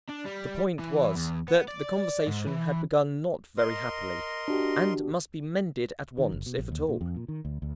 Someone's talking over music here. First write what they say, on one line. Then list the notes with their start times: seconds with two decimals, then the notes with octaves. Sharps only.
The point was, that the conversation had begun not very happily, and must be mended at once if at all.
0.09 D4
0.26 G3
0.80 E3
1.15 E2
1.48 B3
1.68 D5
2.27 G#2
2.47 E3
3.58 A#4 D#5 C6
4.48 D4 F#4 G4
6.18 D#3
6.32 F#1
6.46 B2
6.58 A#1
6.72 D#2
6.89 A#2
7.01 F2
7.16 A#2
7.28 D#3
7.45 D2
7.62 D2